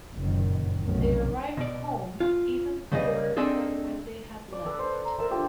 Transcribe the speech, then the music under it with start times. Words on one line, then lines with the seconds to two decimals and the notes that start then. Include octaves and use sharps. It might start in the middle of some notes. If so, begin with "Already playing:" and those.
They arrived home even poorer than when they had left.
0.15 F#1 F#2 A#2 D#3
0.83 F1 B1 D#3 C#4
1.57 B2 D5
2.20 F4
2.92 C#3 G3 G#4 D#5
3.37 C4 D4 D#4 G#4 A4
4.53 D5
4.66 A4 B4
4.79 C5
5.04 A#5
5.18 A4 A#4 E5
5.31 D3 F4 G4